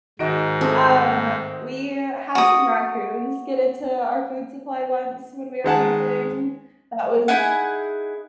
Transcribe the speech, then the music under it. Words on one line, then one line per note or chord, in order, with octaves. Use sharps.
Um, we had some raccoons get into our food supply once when we were camping. That was
G#2 D#3 F#4 D#5 D7
A3 C4 D#6
F#4 D#6
D#3 G#3 F#5 A5
D#4 E4 G#4 F#5